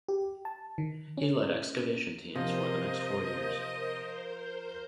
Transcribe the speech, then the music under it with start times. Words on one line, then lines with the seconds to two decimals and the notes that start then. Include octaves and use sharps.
He led excavation teams for the next four years.
0.08 G4
0.45 A5
0.78 D#3
1.17 C#4
2.35 C3 F3 A#4 C5 D#5 G6